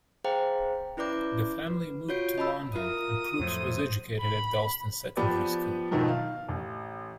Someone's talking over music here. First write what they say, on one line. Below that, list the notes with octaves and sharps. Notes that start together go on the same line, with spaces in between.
The family moved to London and Proops was educated at Dalston Secondary School.
G#4 C5 F5 G5 A#5
C#4 E4 B4 D5 D6 G6
B4
F4 F#4 C#5 G6 C7 D7
D#5 A5 B5 E6
F4 F#4 A#4 E5 D#6
F2 A2 F#3 C5
B5
F3 B3 G4 B4 D5
G#2 B2 D#3 F3 F#3
F5
A1